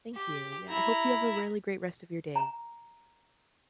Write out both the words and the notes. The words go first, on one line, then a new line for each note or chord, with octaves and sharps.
Thank you, yeah, I hope you have a really great rest of your day.
G4
E4 A#5
A#5